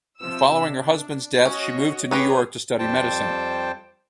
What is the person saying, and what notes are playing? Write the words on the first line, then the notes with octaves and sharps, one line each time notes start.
Following her husband's death she moved to New York to study medicine.
C3 F3 E6
D4
C#4 F#4 C#5 D#5
G4 G#4 B4 C#5
F2 G3 C5 G5 A5